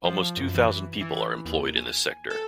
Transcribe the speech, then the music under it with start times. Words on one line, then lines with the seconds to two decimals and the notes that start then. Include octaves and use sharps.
Almost two thousand people are employed in this sector.
0.05 F3
0.37 F#2
0.55 E3
1.01 E3
1.45 D#2
1.77 G#5
2.30 A4